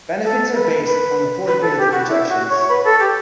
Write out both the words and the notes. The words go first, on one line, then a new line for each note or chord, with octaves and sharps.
Benefits are based on affordability projections.
A4
B4
B4
B4
A4
G4
F#4
E4
F#4
C#5
B4
A4
G4